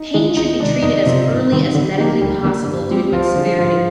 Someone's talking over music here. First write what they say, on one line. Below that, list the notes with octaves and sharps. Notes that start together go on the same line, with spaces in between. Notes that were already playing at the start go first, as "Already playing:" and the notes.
Pain should be treated as early as medically possible due to its severity.
Already playing: D#4
D#3 G#3 D4 G#4
D2 D#4
C3 D#3 G#3 D4
F2 D#4
C3 F3 C4 F4
G#2
D#3 G3 C4 D#4
D3
F3 A#3 D#4 G4
D2 G3 G4
D3 F3 A#3 D4
G2
F3 G#3 C4 G4
D2 F3 F4
D3 G3 D4 G#4
G#2 F3 F4